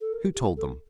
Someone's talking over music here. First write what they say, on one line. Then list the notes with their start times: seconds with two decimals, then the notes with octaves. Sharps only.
"Who told them?"
0.01 A4
0.13 A#4
0.34 G4
0.57 A4